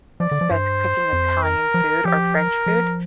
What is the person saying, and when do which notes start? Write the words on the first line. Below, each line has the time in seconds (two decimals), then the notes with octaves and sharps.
spent cooking Italian food or French food,
0.20 F3 D5
0.31 D3
0.41 F3
0.51 G2 C5
1.13 F2
1.43 A#4
1.74 F3
2.05 F3 G4
2.35 A#4
2.66 F3